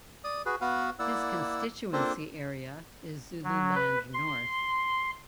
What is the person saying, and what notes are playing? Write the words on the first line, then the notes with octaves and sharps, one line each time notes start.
His constituency area is Zululand North.
D5 D#6
F#4 G#4 B4
B3 F#4 B4 F5 F#5
A#3 E4 D5 F#5 E6
A#3 C4 D4 F4 A4 C5
F#3
B4
C6